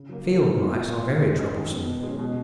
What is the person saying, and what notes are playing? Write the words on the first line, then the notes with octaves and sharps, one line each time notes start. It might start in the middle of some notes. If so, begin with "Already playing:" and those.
Field mice are very troublesome.
Already playing: C#3
F#3 A#3
G#3
D#4 F#4 A#4
B3
F4 A#4
A#3
D#4 F#4
G#3
C#4 G#4 D#5
D#3
F#3 B3
B2
G#3 C#4
B2